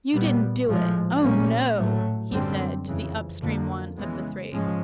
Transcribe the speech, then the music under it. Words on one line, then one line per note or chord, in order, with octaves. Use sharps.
"YOU didn't do it--oh no!" he said to the up-stream one of the three.
A#2 G3 B3
A2 F3 G#3
A#2 G3 A#3 C#4
A2 F#3 A3
F#2 D3 G3 C4
F2 C#3 E3
F2 D3 F3 A#3
C#3 E3 G#3 B3
G#2 F3 G#3 C#4